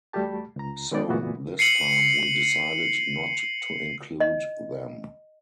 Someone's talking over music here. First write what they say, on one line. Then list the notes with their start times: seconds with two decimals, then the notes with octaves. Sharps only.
So this time we decided not to include them.
0.13 E2 G3 A3 F#4 G4 A5
0.56 C#2 A#5
0.91 D#3 G#3 B3 D#4 D5
1.08 F#2 A#2 E3 A3 B3 F#4
1.59 C7 C#7 D#7 F#7
4.20 D#5